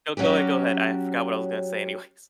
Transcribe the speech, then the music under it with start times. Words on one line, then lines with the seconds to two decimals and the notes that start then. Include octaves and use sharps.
No, go ahead, go ahead. I forgot what I was gonna say anyways.
0.17 F#3 C#4 F#4 G4